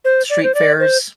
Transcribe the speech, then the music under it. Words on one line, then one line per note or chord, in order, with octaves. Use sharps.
street fairs.
C5
D5
C5
D5
C5